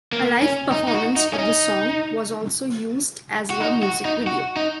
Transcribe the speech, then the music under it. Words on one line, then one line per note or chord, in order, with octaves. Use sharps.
A live performance of the song was also used as a music video.
A#3
C#4
D#4
D#4
F#4
D#4
C#4
D#4
F#4
D#4
F#4
D#4
F#4
D#4